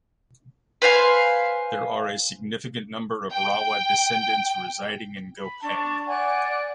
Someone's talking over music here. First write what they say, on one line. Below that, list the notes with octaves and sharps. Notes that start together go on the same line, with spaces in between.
There are a significant number of Rawa descendants reside in Gopeng.
B4 C5 F5 G#5
G5
B5
D4 A5 C#6
D5 F#5 G#5 F#6